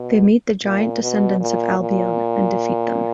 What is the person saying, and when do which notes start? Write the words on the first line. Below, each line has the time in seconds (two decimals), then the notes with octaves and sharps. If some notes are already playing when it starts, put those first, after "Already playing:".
They meet the giant descendants of Albion and defeat them.
Already playing: B2
0.63 A#2
1.02 B2
1.40 A#2
1.79 A#2